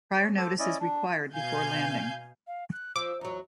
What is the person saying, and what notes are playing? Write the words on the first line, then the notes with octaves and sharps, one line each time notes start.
Prior notice is required before landing.
C#5
A4 C5 A5 D6
C#4 E4 D5 D#5
D4
B2 F5 G#5 G6 G#6
F5
F#6
F3 D6 E6
E2 F#3 A#5